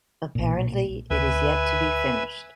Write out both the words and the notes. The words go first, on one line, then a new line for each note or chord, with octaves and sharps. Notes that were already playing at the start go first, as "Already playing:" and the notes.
Apparently it is yet to be finished.
B1 A#2
D2 B4 E5 G#5